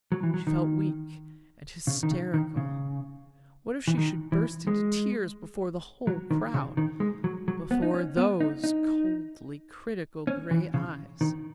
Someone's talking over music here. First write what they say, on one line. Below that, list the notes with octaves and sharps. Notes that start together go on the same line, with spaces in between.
She felt weak and hysterical. What if she should burst into tears before the whole crowd--before those coldly critical grey eyes?
F#3
E3
F#3
D#3
C#3
D#3
C#3
D#3
C#3
E3
D#3
E3
G#3
F#3
D#3
C#3
D#3
G#3
F#3
F#3
B3
D#4
C#4
B3
D#4
D#4
C#4
E3
C#3
D#3